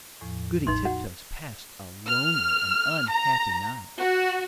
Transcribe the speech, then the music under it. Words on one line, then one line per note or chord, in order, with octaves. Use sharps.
Goody Tiptoes passed a lonely and unhappy night.
E2 A2 F3
A1 D#4 C6
F#4 F#5
F6
A#5
F#4